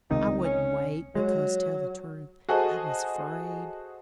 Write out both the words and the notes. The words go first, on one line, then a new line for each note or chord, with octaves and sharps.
I wouldn't wait because, tell the truth, I was afraid.
C#2 C3 D#3 D#4
C#4
F#3 G#3
F#4 G#4 A4 C5 D#5